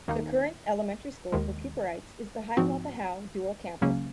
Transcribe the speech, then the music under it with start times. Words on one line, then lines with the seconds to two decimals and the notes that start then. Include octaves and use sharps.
The current elementary school for Cooperites is the Hiawatha-Howe dual campus.
0.08 D#2 D#3 A#3 D#4
1.32 D#2 D#3 G#3
2.57 G#2 F3 C4 F#4
3.81 C#2 C#3 F#3 A#3 C#4